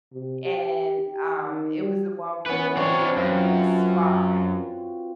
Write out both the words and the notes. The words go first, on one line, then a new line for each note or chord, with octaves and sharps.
and, um, it was the one where they needed her to be a spy.
C3
G4
G4
D#3
G3
E3 B3 C#4 B4
C4 D4 F#4 B4 C#5
F#2 F4 F#4